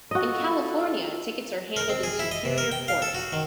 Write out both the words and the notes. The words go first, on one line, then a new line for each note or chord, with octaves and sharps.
In California tickets are handled in Superior Court.
F4 F#4 A4 D#5
A#4
C4
G#4
E4
D#5
C3
A#4
G5
F5
A4
F#4
D#3